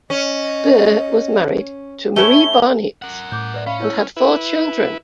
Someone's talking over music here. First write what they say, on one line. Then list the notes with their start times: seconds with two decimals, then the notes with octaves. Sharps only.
Burr was married to Marie Barnitt and had four children.
0.10 C#4 D#5
2.16 A3 C#4 E4 E5 G7
3.02 A#4 F#5
3.32 A2 D6 G6
3.54 B4 D5 E5
3.67 C#4 F5 B5
3.80 E4 C#5 E6
4.17 E4 B4